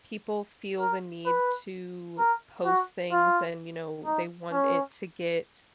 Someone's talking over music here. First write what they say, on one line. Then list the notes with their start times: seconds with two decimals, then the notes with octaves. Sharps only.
people feel the need to post things and, you know, they want it to get,
0.79 A#4
1.26 B4
2.19 A#4
2.66 F#4
3.12 F4
4.05 D#4
4.52 C#4